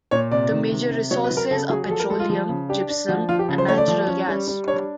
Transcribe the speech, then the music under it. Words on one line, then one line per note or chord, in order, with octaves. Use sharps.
The major resources are petroleum, gypsum and natural gas.
A#2 C#5
C3 D5
D#3
C3
C3
F#3 C#5
B4
F#3
A#4
C#3 A4
F#3 G#4
G#4
F3 A4
A#4
G#3 A4
F4
F3
C#3
D4 G4
D4
F3 F#4
F3 F4
G4
C#3
C5
A3 C#5
D5
F3
C#4
G3
G3
D4 C#5